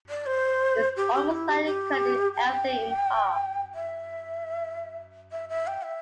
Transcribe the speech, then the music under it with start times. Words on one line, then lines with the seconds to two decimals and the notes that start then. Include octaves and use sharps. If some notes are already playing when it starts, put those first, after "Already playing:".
It's almost like it cut everything in half.
0.09 D5
0.26 C5
0.96 G4
1.14 G4
1.31 E4
1.49 G4
1.65 G4
2.35 G5
3.75 E5
5.32 E5
5.49 E5
5.67 G5
5.84 E5